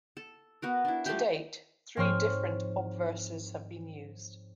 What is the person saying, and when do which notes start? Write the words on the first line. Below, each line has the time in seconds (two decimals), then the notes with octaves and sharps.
To date, three different obverses have been used.
0.17 A4
0.62 B3 F#4 A#4
0.85 D4 E4
1.06 F3 A3 G4
1.97 G#2 F3 C4 C#5 C6 F6